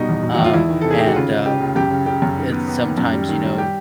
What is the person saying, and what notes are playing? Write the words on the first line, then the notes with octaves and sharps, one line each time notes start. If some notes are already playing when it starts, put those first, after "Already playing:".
Um, and, um, it's sometimes, you know,
Already playing: B2 G3 D#4
E2
B2
E2 F#4
F4
E2 E4
D#3
C3 A4
G#4
D#3 G4
F#4
C#3 F4
C#3
C#3 G4
C#2
F#2 G4
C#3
C#3 G4
F#2
D#3
B3
B3
D#3
F#2
G3
D#3
G3
G4